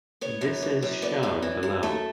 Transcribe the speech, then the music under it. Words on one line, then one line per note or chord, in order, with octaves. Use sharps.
This is shown below.
B3 C#5
F#2
E3
F#2
B3 D5
F#2
E3
F#2
A3 E5